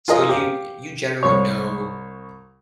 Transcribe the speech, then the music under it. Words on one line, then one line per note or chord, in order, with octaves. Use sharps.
So, you y you generally know
F4 G#4 A#4 D#5 F5
G4 F5
C2 C#5